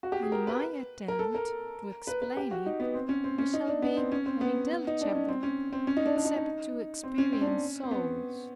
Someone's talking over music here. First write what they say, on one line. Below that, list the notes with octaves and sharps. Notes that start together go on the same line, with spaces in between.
In my attempt to explain it, I shall be unintelligible, except to experienced souls.
F#4
G4
G#4
A#4
B4
A#4
A4
A#4
B4
B4
G4
F#4
D#4
B3
C4
C#4
C4
C#4
D#4
D4
B3
C4
C#4
C4
B3
D#4
D4
C#4
C4
C#4
C4
C#4
D#4
D4
D4
D#4
D#4
C4
C#4
C4
D4
C#4
C4
B3